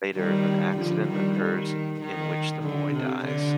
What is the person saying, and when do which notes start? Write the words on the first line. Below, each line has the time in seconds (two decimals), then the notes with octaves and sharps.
Later, an accident occurs in which the boy dies.
0.16 D#3 G3
0.77 D3 F3
1.08 D#3 G3
1.39 D#3
2.01 D#3
2.63 D3
2.93 C3
3.25 D3